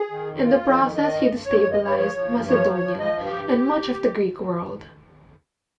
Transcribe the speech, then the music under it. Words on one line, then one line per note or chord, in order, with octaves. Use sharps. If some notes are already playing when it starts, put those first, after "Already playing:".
In the process he destabilized Macedonia and much of the Greek world.
Already playing: G#4
D#3
F2
F2 F4
F2
D#3
D#3 D#5
G2
G2
G2 C#5
C#5
G2
D#5
G2 C#5
F3 C#5
F3
G2
F3 C#5
F3
C#5
F3
F3 D#5
G2
G4
G2